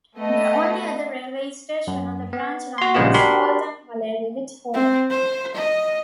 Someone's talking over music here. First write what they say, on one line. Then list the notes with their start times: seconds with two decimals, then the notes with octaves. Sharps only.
The only other railway station on the branch line was Halton Holegate Halt.
0.18 A3 B3 D#5
1.87 F#2
2.33 B3
2.78 F#4 C6
2.94 A#1 C#3 G3 G#3 B3 F4
3.14 D4 F#4 G4 A#4 B5 C6
4.74 C4
5.10 C5
5.55 D#5